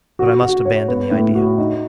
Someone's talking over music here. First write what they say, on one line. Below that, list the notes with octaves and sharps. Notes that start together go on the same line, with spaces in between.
But I must abandon the idea.
F#4
F#4
C#5
B3
A2
F#4
D#4